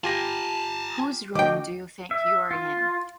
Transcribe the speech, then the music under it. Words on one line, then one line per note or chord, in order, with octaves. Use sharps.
Whose room do you think you’re in?
F4 G4 G#5 A5 A#6
D2 D#5 G5 D6
E5
F4